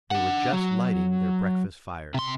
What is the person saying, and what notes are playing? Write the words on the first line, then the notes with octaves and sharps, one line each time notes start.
They were just lighting their breakfast fires.
D4 F#5
F#3
C3 C6